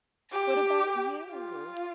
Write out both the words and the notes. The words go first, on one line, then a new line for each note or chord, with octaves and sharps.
What about you?
G4
F4